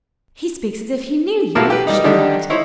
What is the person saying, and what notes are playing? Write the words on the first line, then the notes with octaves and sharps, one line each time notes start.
"He speaks as if he knew you!" she cried.
B1 A#3 E4 F#4 F5 A5
G4 B4
G3 D#4
D3 D#3 G3 D4 D#4 G4
D#4 E4 C5 C#5